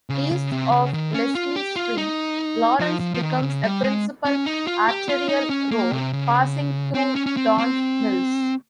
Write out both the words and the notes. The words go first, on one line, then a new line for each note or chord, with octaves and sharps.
East of Leslie Street, Lawrence becomes a principal arterial road, passing through Don Mills.
C#3
C#3
C3
C#3
D#3
C#4
F4
G4
F4
D#4
F3
F3
F3
D#3
C#3
G3
G#3
C#4
D#4
F4
G4
F4
D#4
C#4
A#3
C3
C#3
C4
C#4
C#4
C4
C4